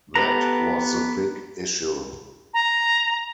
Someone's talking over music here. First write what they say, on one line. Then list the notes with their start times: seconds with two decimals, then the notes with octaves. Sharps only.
That was the big issue.
0.15 B3 G4 A4 B4 A#5
2.54 A#5